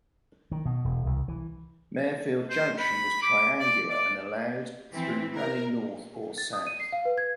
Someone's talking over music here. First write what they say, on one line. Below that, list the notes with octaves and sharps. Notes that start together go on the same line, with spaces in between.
Marefield Junction was triangular and allowed through running north or south.
D#3
B2
E1
C2
E3
C5
B5
D6
D5
D5
E3 C4
A#4
A6
D#6
D#7
C7
F5
B4
G#6